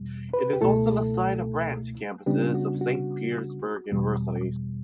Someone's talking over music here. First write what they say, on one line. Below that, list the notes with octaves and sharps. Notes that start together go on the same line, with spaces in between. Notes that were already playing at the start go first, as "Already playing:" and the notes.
It is also the site of branch campuses of St. Petersburg Universities.
Already playing: E2 B2 G3
B4
G4
C#2 B2 A3 E4 A4
C#3 G3 B3 D4 G4
F#4
F#4
E2 B2 G3